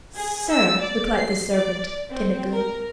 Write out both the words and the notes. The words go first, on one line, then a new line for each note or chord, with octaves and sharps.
"Sir!" replied the servant, timidly.
G#4
E6
D5
C7
D5
C4
A#4